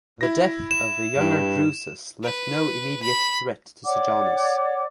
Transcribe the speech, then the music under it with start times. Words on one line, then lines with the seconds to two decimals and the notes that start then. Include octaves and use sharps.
The death of the Younger Drusus left no immediate threat to Sejanus.
0.21 E4 A#6
0.71 E7
1.18 G2
2.23 B4
3.03 B5
3.85 C#5 D5 F#5 D6